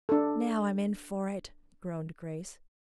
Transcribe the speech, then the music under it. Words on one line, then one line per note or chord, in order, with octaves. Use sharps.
"Now I'm in for it," groaned Grace.
D4 A4